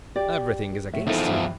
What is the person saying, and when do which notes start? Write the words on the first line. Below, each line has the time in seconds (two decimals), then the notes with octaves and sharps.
Everything is against you.
0.16 G4 D5
0.93 A2 E5
1.07 E2 F3 D#4 A4 E5
1.26 G2 E3 E5